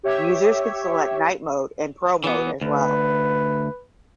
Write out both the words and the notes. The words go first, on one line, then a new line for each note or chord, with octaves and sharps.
Users can select Night mode and Pro mode as well.
G4 C#5 E5
E3 B3
D2 B4